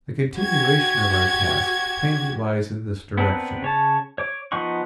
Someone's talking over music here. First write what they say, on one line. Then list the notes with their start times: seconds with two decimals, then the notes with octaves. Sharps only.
The continuation of our task plainly lies in this direction.
0.40 F#4 G4 G#6
3.17 B3 C4 D4 A#4 B4
3.62 C#3 C#5 A5
4.18 C#5 D6
4.52 F3 B3 D#4 F#5 C#6